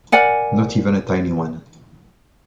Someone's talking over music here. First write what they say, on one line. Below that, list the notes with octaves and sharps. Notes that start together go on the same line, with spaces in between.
Not even a tiny one.
A#4 D5 F#5 G#5